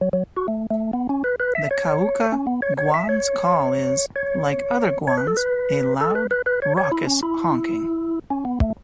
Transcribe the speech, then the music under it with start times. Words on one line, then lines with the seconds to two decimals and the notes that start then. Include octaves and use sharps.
The Cauca guan’s call is, like other guans, a loud, raucous honking.
0.01 F#3
0.13 F#3
0.37 F#4
0.48 A3
0.71 A3
0.93 B3
1.09 C#4
1.24 B4
1.40 B4
1.55 E5
1.71 C#5
2.32 C#4
2.47 B3
2.62 C#5
2.78 C#5
2.94 E5
3.09 C#5
4.16 C#5
5.08 C#5
5.18 B4
5.27 A4
5.37 B4
6.01 A4
6.15 B4
6.31 B4
6.46 B4
6.62 C#5
6.77 C#5
6.92 E4
7.07 C#4
7.23 E4
8.30 C#4
8.45 B3
8.61 A3